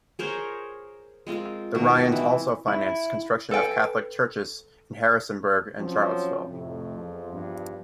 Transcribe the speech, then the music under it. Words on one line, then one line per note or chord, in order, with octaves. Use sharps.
The Ryans also financed construction of Catholic churches in Harrisonburg and Charlottesville.
G#4 A#4 C5 C#5
G#3 C4 F4 A#4
B2 D#3
E3 C4
E4
A4 B4 G5 G#5
F3 F#3 C4 C#4
F2 A2 C3
E2 F3
G2